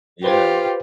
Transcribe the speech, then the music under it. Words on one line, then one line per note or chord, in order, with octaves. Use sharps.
Yeah, like
F4 G4 B4 C5 G5